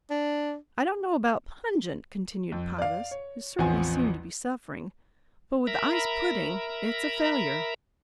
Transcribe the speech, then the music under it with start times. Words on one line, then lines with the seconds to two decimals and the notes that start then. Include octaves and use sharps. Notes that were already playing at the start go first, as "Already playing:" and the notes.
"I don't know about pungent," continued Pybus, who certainly seemed to be suffering; "but with ice pudding it's a failure."
0.10 D4
2.52 F2
2.78 D5 F5
3.11 C#5
3.58 A1 E2 F3 C4 G#5
5.67 A#4 E5 A#5 B5